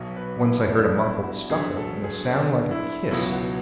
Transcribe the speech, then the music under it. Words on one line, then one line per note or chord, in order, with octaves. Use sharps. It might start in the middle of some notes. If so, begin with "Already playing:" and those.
Once I heard a muffled scuffle and a sound like a kiss....
Already playing: B1 B2 F#3
B4
E4
D4
E4
F#4
D2 D3 F#3 G#4
A4
G#4
D4
E4
C#2 B2 F#3 E4
F#4